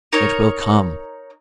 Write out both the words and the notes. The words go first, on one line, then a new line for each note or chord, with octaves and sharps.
It will come.
D#4 A#4 C#5